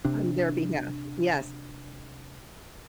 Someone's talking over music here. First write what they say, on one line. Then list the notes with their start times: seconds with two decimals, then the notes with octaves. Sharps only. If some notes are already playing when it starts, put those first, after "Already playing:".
on their behalf Yes.
0.05 C3 C4 D4